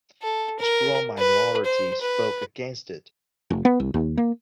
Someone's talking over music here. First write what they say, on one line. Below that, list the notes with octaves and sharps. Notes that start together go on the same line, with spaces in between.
A strong minority spoke against it.
A4
A#4
B4
C5
B4
F1
B3
C2
D#2
A#3